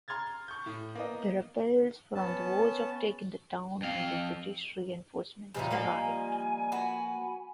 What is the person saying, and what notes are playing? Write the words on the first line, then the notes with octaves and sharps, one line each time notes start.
The rebels were on the verge of taking the town until British reinforcements arrived.
A#5 C6 F6 G#6 A6
C#6 G6
A2
A#3 B3 D#5
B3 C#4 A5
F2 F5
E2 C3 F#3 G3 D#4 F4 G#5
F3 A#3 A#4
F#4 B4